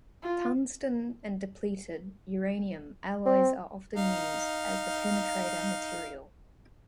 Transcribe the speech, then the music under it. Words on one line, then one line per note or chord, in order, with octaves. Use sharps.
Tungsten and depleted uranium alloys are often used as the penetrator material.
F4
C4
D#4 F5